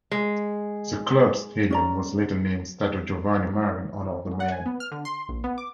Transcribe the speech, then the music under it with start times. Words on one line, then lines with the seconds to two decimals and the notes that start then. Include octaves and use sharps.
The club's stadium was later named Stadio Giovanni Mari in honour of the man.
0.11 G#3
1.71 C#4 D5 A#5
4.40 F#5
4.52 G#5
4.66 B3
4.80 F6
4.92 D3
5.05 C6
5.29 A#1
5.44 B3
5.58 D6